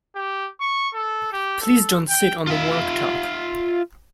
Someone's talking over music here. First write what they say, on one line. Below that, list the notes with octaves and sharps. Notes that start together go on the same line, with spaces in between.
Please don't sit on the worktop!
G4
C#6
A4
G4
A4
G5
F4 E5